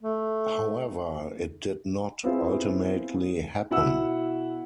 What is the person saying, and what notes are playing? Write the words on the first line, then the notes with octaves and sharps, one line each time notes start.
However it did not ultimately happen.
A3
B3 C4 E4 F4 G#4 C5
B2 E4 F#5 E6